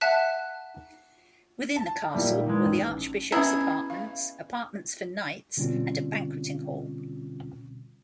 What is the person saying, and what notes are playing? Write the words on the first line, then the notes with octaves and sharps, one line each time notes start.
Within the castle were the Archbishop's apartments, apartments for knights and a banqueting hall.
E5 F#5 A5 F#6 B6
A5
A#2 D#3 G3 E4 G4
D#3 E3 G#3
A1
B2 C#4 E4 G#4 A#5
F5
B2 D3 G3 C4 C#4 F4